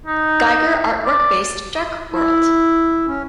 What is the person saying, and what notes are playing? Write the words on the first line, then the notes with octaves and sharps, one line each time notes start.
Giger artwork-based Dark World.
D#4
D5
E4
C#4